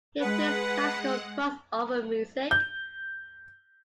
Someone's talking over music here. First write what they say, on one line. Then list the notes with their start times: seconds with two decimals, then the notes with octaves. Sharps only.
He plays classical crossover music.
0.20 G#3 B4 F#5
2.51 G6